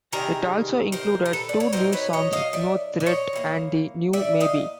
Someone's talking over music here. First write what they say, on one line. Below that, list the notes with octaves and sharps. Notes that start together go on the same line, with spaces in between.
It also included two new songs, "No Threat" and "The New Maybe".
C3 D#3 G3 G#4 A#4
A#4 C5
A#4
A4 B4
D5
C#5
F#3 B3 D#4 A#4 C5
B4 C#5
C#5 D#5
D#5 F5
D5 E5
D5
C#5 D#5
E3 G3 A#3
D5 E5
D#5 F5